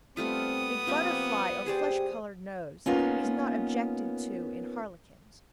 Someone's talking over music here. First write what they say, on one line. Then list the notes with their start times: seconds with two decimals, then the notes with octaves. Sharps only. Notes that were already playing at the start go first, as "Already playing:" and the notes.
A butterfly or flesh-coloured nose is not objected to in harlequins.
0.17 G3 A3 B3 C4 F4 D#6
0.87 F3 A#3 C4 G4
1.66 G4 G#4 C5 D5
2.86 A#3 B3 C#4 D#4 F4